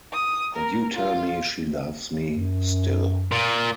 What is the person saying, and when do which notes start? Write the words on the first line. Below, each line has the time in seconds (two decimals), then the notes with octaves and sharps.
And you tell me she loves me still!
0.13 D#6
0.55 A#4
0.94 F4
2.31 F#2
3.32 A#2